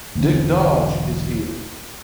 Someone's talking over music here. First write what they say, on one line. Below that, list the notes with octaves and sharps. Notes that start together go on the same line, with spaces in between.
Dick Dodge is here.
E1 B1 D3 C4